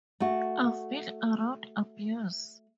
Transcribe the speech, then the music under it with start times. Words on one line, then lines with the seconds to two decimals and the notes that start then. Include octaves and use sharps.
I've been around abuse.
0.20 A3 F#4